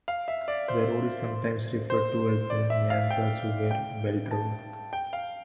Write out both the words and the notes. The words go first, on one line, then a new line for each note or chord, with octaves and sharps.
The road is sometimes referred to as the Nyanza Sugar Belt Road.
F5
E5
D5
C5
C5
D5
E5
F5
G5
G5
A5
G5
F5